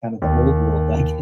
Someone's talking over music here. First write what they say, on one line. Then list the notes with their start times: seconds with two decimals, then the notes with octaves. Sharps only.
kind of the old world, like,
0.22 D#2